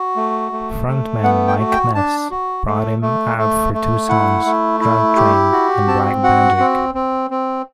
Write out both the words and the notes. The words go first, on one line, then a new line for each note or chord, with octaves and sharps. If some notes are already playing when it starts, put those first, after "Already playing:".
Frontman Mike Ness brought him out for two songs, "Drug Train" and "Black Magic".
Already playing: F#4
A3
A3
A3
B3 F#5
G5
F#4
G5
D4 A5
F#4
A3
A3
A3
A3
E4 F#5
A3
E4
G4
F#4
C4 A5
F#4 F#5
C4
C4
C4